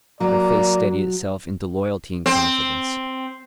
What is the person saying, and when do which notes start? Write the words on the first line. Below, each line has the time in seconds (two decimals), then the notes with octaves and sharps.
Her face steadied itself into loyalty and confidence.
0.20 F#3 A#3 D5
2.26 C4